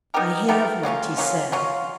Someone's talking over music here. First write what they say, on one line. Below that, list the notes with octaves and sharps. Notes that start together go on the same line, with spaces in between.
"I have looked," he said.
B3 D#4 G4 A#4
B3 D#4 G4 A#4
F#3 A#3 C#4 F4
F#3 A#3 C#4 F4
F#3 A#3 C#4 F4